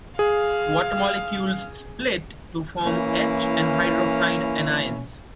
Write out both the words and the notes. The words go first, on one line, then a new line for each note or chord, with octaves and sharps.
Water molecules split to form H and hydroxide anions.
G#4 F5
E3 A#3 C#4 E4